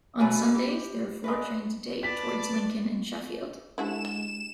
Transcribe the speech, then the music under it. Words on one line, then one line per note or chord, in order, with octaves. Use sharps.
On Sundays there are four trains a day towards Lincoln and Sheffield.
B2 F#3 A3 B4 G#5
G4
G#3 A#4 B4
B4 D5 A5 B6
G#3 D4 E4 F#4 G4 A4 C5 E7